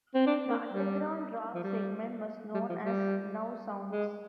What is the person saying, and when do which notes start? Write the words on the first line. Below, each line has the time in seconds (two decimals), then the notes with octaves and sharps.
The underground rock segment was known as Now Sounds.
0.15 C4
0.26 D4
0.49 A#3
0.72 G3
1.54 F3
1.63 G3
2.54 G3
2.69 F3
2.84 G3
3.91 G#3